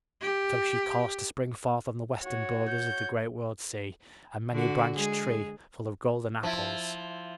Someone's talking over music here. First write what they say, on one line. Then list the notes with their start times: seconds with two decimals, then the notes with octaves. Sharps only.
So she caused to spring forth on the western borders of the great world-sea a many-branched tree full of golden apples.
0.21 G4
2.24 F#4 C#5
2.68 G6
4.52 D3 F#4
4.94 G#3 G#4
6.43 F3 E4